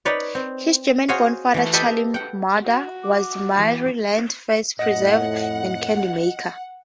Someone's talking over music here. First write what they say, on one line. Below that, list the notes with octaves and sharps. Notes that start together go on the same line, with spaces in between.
His German-born father, Charles Munder, was Maryland's first preserve and candy-maker.
D#4 B4 C#5 D5
C4
F#4 G#4 C5 C#5 D#5 F5
E3 A3
G4 A4 B4 D#5 E5 G5
F#5 G5
F#4
D6
E3 G4
F2 A2 D#5 F#5